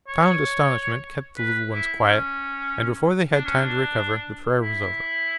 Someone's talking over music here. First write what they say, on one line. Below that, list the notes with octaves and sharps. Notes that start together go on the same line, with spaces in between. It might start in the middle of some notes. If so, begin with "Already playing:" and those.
Profound astonishment kept the little ones quiet, and before they had time to recover the prayer was over.
C#5
B4
E4
C#4
D4
C#4
D4
E4